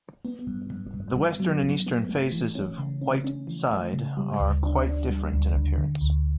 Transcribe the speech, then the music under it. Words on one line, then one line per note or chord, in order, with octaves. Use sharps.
The western and eastern faces of White Side are quite different in appearance.
B3
G2
G2
G2
G2
F#3
G2
B3
A3
E3
C#4
C#3
C#4
C#4
E3
A3
C#3
G3
D2
D4
D4
G3
D2
D2
D3
D2